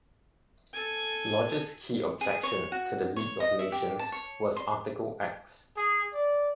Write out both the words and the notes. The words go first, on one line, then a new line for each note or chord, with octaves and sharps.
Lodge's key objection to the League of Nations was Article X.
A4 G#5
G#4
C#5
F#4
C#5
D#5
E5
G4
A5
C#5
C6
G#4
D5